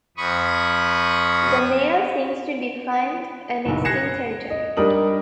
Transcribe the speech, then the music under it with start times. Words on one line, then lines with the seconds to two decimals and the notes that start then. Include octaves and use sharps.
The male sings to defend a nesting territory.
0.17 F2 B5 C#6 D#6
3.65 F#1 B1
3.85 F#6 G#6 A#6 C7 C#7 E7
4.50 D#5
4.77 G3 D4 D#4 A#4 D#6 F#7